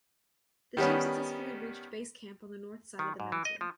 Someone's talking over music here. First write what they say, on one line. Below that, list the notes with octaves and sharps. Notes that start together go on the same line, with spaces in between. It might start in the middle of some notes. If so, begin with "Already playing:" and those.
The team successfully reached Base Camp on the north side of the mountain.
D#3 G3 B3 C#4
D#3
G#2
E3
D#5
F3